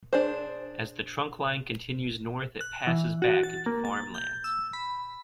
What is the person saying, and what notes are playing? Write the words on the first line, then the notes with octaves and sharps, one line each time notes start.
As the trunkline continues north, it passes back into farm lands.
D4 G#4 C5
F#6
E3
F#4
A6
A#3
A6
G6
E6
B5